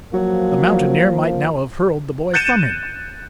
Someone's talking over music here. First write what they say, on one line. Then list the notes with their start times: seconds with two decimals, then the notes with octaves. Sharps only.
The mountaineer might now have hurled the boy from him.
0.14 F3 F#3 A#3
2.34 F#6 G6 A6 C#7 D#7 E7